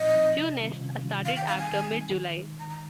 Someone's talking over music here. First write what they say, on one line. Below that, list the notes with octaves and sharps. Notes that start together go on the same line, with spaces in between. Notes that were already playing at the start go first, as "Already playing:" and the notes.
Few nests are started after mid-July.
Already playing: A#2 F3 C4 D#4 D#5
F3 C4 D#4
C3
D#3 G3 C#4 F4
C3
D#3 G3 C#4 F4
D#3 F5
G5
G3 C4 D#4 F5
G#5
D#3
G3 C4 D#4
D#3
G#3 D#4
D#3 A#5
A#5